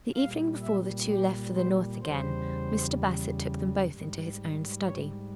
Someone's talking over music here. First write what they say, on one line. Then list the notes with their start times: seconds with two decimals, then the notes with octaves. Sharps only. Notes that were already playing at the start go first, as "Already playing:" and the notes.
The evening before the two left for the north again, Mr. Bassett took them both into his own study.
0.15 A#2 G3 F5
0.62 E5
1.09 G4
1.55 C5
2.02 E2 C#3 G3 C5
3.89 G#2 G3
4.82 C#5